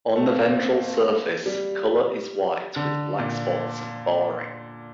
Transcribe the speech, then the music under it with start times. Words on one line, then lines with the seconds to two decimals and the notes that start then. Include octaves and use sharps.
On the ventral surface, colour is white with black spots and barring.
0.16 A3
0.27 A#3
0.38 A#3
0.48 C4
0.59 A#3
1.46 G3
2.76 D3
3.19 A#2